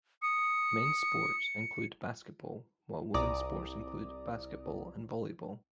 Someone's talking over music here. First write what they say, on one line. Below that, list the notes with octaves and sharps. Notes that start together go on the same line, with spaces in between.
Men's sports include basketball; while women's sports include basketball and volleyball.
D#6 C#7
C2 D5 A#5 D6 D#6